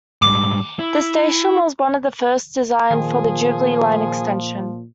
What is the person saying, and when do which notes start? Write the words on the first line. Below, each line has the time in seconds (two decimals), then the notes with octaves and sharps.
The station was one of the first designed for the Jubilee Line Extension.
0.22 G#2 G3 D6
0.79 E4
2.91 A#2 D#3 F3 G#4